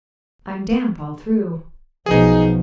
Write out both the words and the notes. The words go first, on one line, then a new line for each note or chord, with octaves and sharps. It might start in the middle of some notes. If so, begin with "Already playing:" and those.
I'm damp all through.
B1 F3 D#4 G#4